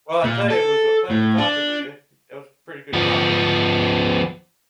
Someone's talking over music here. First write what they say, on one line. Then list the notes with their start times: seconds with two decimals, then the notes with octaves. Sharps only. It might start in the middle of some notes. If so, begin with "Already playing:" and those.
Well, I tell you, it was a pleasure talking with you. It was pretty good topic.
0.24 A#2
0.50 A4
1.10 A2
1.38 D4
2.93 F3 B3